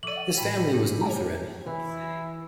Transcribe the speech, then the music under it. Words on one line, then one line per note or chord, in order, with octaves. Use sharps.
His family was Lutheran.
F3 A4 C#6 D6 D#7 F#7
A2 G5 B5
D4 F4 G4
E3 E4